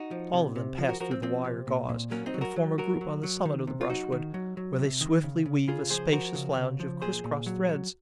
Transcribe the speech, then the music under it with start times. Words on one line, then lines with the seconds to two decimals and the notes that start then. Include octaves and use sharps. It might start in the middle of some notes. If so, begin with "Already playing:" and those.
All of them pass through the wire gauze and form a group on the summit of the brushwood, where they swiftly weave a spacious lounge of criss-cross threads.
Already playing: D#4 F#4
0.11 F3
0.33 C3
0.56 C3
0.78 F3
0.89 F#4 A#4
1.00 F3 F#4 A#4
1.11 C4
1.22 F3 C4
1.45 C3
1.67 A#2
1.89 A#2
2.11 F#3 A#3 C#4
2.26 C4 D#4
2.34 F#3
2.41 F#4 A#4
2.56 F#3
2.78 F#3 F#4 A#4
3.01 F#3
3.23 F#3
3.45 D#3
3.67 C3
3.81 F4
3.90 F#3 D#4 F#4
4.12 D#3
4.34 F#3
4.57 F#3
4.79 C3
5.01 D#3
5.23 C#3
5.46 C#3
5.68 C#3 F4 G#4
5.90 F3 G#4 C5
6.12 F3 F#4 A#4
6.35 C#3
6.57 C#3
6.80 F3
7.02 A#2 G#4 C5
7.24 A#2
7.46 F#3
7.69 F#3